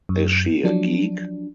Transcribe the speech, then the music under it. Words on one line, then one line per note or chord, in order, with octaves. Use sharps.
Is she a geek?
F#2
F3 F#3 D4